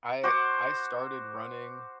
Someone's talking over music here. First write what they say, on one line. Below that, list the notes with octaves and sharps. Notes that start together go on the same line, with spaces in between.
I I started running,
F#4 C5 F#5 D6